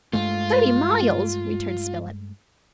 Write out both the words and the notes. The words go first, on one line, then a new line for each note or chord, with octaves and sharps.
"Thirty miles!" returned Spilett.
G2 G#3 A3 F4